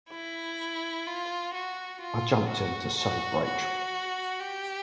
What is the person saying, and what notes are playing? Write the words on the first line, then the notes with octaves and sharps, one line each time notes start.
I jumped in to save Rachel.
E4
F4
F#4
F4
F#4
F#4
F#4
G4